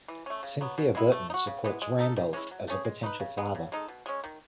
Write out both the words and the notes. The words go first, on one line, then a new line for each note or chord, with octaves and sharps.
Cynthia Burton supports Randolph as a potential father.
E3
A3 C#4
C#3
F#3 B3
B2
G#3 B3 E4
A3
D#4
F#4
C#3
E3 G#3 B3
G#3
D#4 A4
D#3
G#3 C#4 E4
F#3
A3 C#4 G#4
G#3
D#4 F#4 B4
C#3
G#3 B3
C#3
G#3 D#4 A4
B2
G#3 C#4
D#3